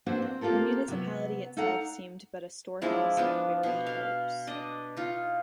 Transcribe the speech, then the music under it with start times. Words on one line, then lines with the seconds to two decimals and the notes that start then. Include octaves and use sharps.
The municipality itself seemed but a storehouse of buried hopes.
0.06 A#3 C4 D4 F#4 B4 C5
0.22 C4
0.41 A#3 C4 F4 G4 A4 A#4
0.88 C3 F#3 B3
1.57 D#4 A4 D5 F5 F#5 A#5
2.82 F3 G#3 D4 E4
3.17 F3 B3 D4
3.63 B2
3.86 F5
4.47 D4 D#5
4.97 D#4 F4